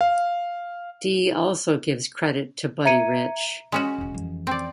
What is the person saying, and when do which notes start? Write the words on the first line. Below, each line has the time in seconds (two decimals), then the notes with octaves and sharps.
Dee also gives credit to Buddy Rich.
0.01 F5
2.85 E5 A#5 G#6 C#7 D#7
3.72 G#3 C#4 F#4
3.98 E1 E2
4.14 F2 E3
4.47 C4 D5